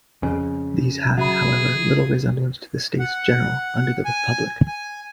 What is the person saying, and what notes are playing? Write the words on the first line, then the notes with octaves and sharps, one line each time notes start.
These had, however, little resemblance to the States General under the Republic.
F2 C#3 G#5
F#3 G#4 E5 B5
F#5
G#5
G#5